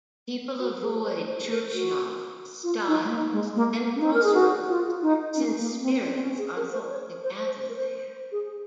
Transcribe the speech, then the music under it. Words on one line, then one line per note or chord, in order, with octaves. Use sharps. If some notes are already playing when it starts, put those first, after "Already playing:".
People avoid churchyards, stiles, and crossroads, since spirits are thought to gather there.
F#4
G#4
C5
C5
A#4
F#4
F4
D#4
G#3
A#3
G#3
A#3
C#4
D#4
A#4
G#4
F#4
F4
D#4
C#4
A#3
C4
C#4
C4
C#4
G#4
A#4
C5
C#5
C5
C5
A#4
C5
G#4